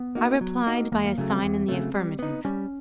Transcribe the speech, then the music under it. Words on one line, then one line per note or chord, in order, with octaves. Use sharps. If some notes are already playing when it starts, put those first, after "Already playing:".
I replied by a sign in the affirmative.
Already playing: B3
A#3 D#4 F#4
F#3
A#3 D#4 F#4
E2 A#3
A#3
C#3 F#3 A3
C4
E2
C#3 F#3 A3
G3
B3 D#4
G3 C#4